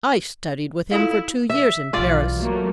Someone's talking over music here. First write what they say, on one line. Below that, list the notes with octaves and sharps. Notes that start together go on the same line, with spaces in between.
'I studied with him for two years in Paris.
E4 F4 A4 F5
E5
B1 E3 F4 D5
F#3 A3 A#3